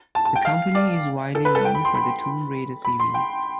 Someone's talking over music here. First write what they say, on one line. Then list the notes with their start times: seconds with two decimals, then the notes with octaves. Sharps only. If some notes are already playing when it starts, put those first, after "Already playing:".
The company is widely known for the "Tomb Raider" series.
0.15 A5
0.25 A5
0.35 G5
0.45 F5
0.75 D5
1.35 A4
1.45 B4
1.55 A4
1.65 G5
1.75 B5
1.85 C6
1.95 B5
2.85 B5
3.00 C6
3.14 G5